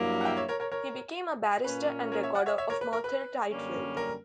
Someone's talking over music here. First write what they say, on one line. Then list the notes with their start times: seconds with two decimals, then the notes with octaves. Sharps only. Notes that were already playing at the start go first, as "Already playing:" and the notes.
He became a barrister and Recorder of Merthyr Tydfil.
Already playing: G2 F#3 A#3 E4
0.21 F#5
0.25 E5 G5
0.37 C#5 E5
0.49 A#4 C#5
0.60 A#4 C#5
0.72 A#4 C#5
1.64 A#2 A#3 C#4 B4
2.12 A#4 C#5
2.23 C#5 E5
2.35 D5 F#5
2.46 C#5 E5
2.58 C#5 E5
2.70 A#4 C#5
2.81 B4
2.93 A#4
3.04 B4
3.51 F#2 D3 G3 A#3 C#4
3.97 A#4